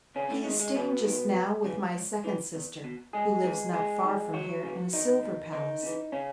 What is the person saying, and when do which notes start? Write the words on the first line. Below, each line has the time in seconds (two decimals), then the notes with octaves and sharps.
He is staying just now with my second sister, who lives not far from here in a silver palace.
0.15 D#2 C#3 C#4
0.30 A2 A3
0.45 D#3 G#3
0.60 G#3
0.75 E2 B2 B3
1.05 D#3
1.34 C#2
1.64 C#3 E3
1.94 C#2
2.24 C#3 E3
2.54 E2
2.84 B2
3.13 C#2 G#3 G#4
3.44 C#3 E3
3.73 D#2 G#3 G#4
4.03 D#3
4.34 C#2 F#3 F#4
4.63 C#3 E3
4.93 E2 D#3 D#4
5.23 B2
5.53 E2 D#3 D#4
5.83 C#3 E3
6.12 C#3 C#4